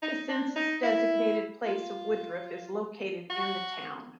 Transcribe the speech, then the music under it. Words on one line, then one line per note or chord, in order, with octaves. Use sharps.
The census-designated place of Woodruff is located in the town.
D#4
D4
D#4
E4
F4
F#4